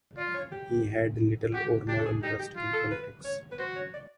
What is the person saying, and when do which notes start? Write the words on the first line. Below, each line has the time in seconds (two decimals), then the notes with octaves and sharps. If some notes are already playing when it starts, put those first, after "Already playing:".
He had little or no interest in politics.
0.17 F4 D5
0.34 C#5
0.52 G4
1.53 F#4 G4
1.88 D4 G4
1.99 A4
2.06 G#4
2.23 D#4 G4
2.39 G4
2.56 F4
2.73 A4
2.91 B4
3.24 C#5
3.52 B4
3.59 F#4 C5
3.76 C#5
3.94 D5